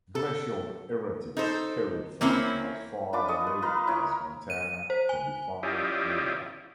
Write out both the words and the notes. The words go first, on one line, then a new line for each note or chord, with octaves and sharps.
Glacial erratics carried from as far away as Montana can be found nearby.
A4
D#4 A4 C5
A#3 C4 C#4 E4
D4 F4 B4 D6
D#5 A5 C#6 D#6
B4
A#4 B4 D#5 F5
E4 A#4 C#5
D#7
C5
G#5
C#4 E4 F4 G4 D5 D#5